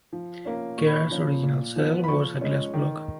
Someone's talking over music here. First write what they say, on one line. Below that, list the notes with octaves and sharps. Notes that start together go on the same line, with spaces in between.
Kerr's original cell was a glass block.
F3
A#3 C#4
A#2 C#6
B5
C#6
F3 A#3 C#4
A#2
F3 B3
B5
F3 C#6
G#3 C#4
D#3